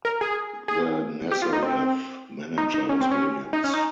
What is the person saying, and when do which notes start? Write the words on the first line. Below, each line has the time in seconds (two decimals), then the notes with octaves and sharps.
The Nazareth manager was Williams.
0.05 A#4
0.21 G#4
0.68 G#4
1.31 G4
1.42 F4
1.53 D#4
1.63 C4
2.58 D#4
2.74 D#4
2.89 C#4
3.01 C4
3.11 C#4
3.53 D#4
3.64 C#4
3.74 D#4